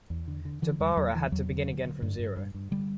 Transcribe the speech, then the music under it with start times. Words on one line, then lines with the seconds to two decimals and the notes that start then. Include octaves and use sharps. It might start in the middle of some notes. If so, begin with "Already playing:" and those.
Tobarra had to begin again from zero.
0.10 E2
0.28 D3
0.45 D3
0.62 D3 E3
0.80 E2 G3
0.97 E2 F#3
1.14 D3 E3
1.32 E2 F#3
1.50 D3
1.67 D3
1.85 D3
2.02 G2
2.19 G2
2.37 G2
2.54 G2
2.71 D3 G3